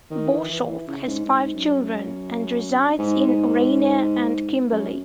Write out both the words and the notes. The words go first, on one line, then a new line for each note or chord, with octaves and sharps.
Boshoff has five children and resides in Orania and Kimberley.
D#3
E3
E3
E3
C#3
G#2
G#2
F#2
F#2
G#2
G#2
F#2